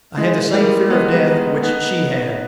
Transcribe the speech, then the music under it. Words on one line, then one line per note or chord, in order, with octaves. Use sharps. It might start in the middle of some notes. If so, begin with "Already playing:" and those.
I had the same fear of death which she had.
E3 G#3
G3 A#3
G#3 B3
B3 D#4